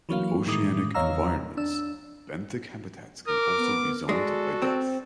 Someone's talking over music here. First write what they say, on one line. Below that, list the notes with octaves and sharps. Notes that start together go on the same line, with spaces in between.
In oceanic environments, benthic habitats can also be zoned by depth.
E3 F#3 A#3 F5
A2 D#3 E3 G#3 D6 D#6
E2 C#5 D#5 F5 A#5 E6
D4 E6
A#4 D6
B3
G#3 F#4 A4 D5
C4